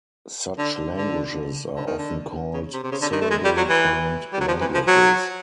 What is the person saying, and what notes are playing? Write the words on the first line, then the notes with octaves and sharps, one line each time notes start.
Such languages are often called syllable-timed languages.
D3
D3
D3
D#3
D3
C#3
C3
C3
C#3
D3
D#3
A3
G#3
G3
F#3
E3
G3
F#3
F3
E3
F3
F#3